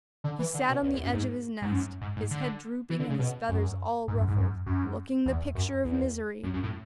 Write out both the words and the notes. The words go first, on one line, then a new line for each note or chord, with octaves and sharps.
He sat on the edge of his nest, his head drooping and his feathers all ruffled, looking the picture of misery.
D3
E3
D3
B2
E2
E2
F#2
G#2
G#2
F#2
G#2
G#2
D3
E3
D3
C#3
B2
F#2
G#2
F#2
G#2
F#2
F#2
E2
F#2
E2
F#2
F#2
A2